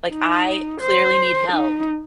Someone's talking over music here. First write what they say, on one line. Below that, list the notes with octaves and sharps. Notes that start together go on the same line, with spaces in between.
Like I clearly need help,
D#4
C5
D#4